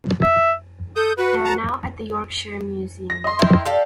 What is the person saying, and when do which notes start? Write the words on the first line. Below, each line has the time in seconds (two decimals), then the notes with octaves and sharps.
They are now at the Yorkshire Museum.
0.22 E5
0.96 A4 D#6 G6
1.18 F#4 B4
1.44 A5 A#5
3.10 A#6
3.24 D#5 C6
3.39 E4 A#4 G5
3.65 G4 A4 D5 F5